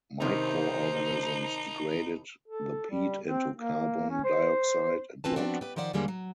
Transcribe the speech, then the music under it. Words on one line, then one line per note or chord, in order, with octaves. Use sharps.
Microorganisms degraded the peat into carbon dioxide and water.
C3 D#3 D#4 C5
A4
G3
C4
A#3
C#4
C5
E3 C4 F4 B4 A5
F3 B3 C4 D4 F#4
G4 B4
D#3 F3 C5 D5 F#5
D#2 D3 G3 G#3 A#3
F#3